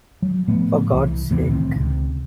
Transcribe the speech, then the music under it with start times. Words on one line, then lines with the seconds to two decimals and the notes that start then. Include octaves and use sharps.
For God's sake.
0.22 F#3
0.47 A2 F3 A3 B3
0.91 C2 E3
1.30 D#2 C3 E3 B3
1.48 C2 A2 D#3 C4
1.75 C#2 C3